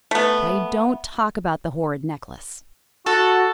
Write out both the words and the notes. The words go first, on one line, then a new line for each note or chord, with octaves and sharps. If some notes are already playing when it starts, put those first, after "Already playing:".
"Pray don't talk about the horrid necklace."
A3 B3
F#4 A4